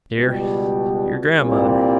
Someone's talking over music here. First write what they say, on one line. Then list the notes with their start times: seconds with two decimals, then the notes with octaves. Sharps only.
"Dear," your grandmother.
0.16 C#2 B2 G3
1.39 C2 A#2 G3 C4